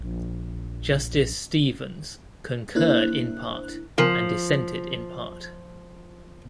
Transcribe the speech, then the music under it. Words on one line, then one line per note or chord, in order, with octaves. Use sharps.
Justice Stevens concurred in part and dissented in part.
A#1
A#3 D4 E4 C5 F#6
F3 F4 A#4 G#5